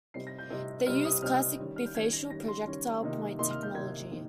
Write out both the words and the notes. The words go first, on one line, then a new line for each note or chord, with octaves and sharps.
They used classic bifacial projectile point technology.
C3 G3 C4 D#4 C7
A#6
G6
C3 G3 C4 D#4
C3 G3 C4 D#4 F6
D#6
C3 G3 C4 D#4 F6
D#3 G3 C#4
F6
G6
D#3 G3 C#4 G#6
A#6
D#3 G3 C#4 A#6
C6
D#3 G3 C#4
C3 D#3 A#3 D#4
C3 D#3 A#3 D#4 C6
F6
G6
C3 D#3 A#3 D#4 G#6
C3 D#3 A#3 D#4